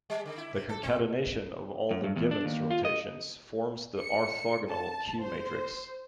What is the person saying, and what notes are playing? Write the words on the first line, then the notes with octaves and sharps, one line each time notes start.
The concatenation of all the Givens rotations forms the orthogonal "Q" matrix.
G3
D3
E4
C3
A4
C4
F#2
G2
E2
D4
D#2
F4
D#5
C#7
A5
C5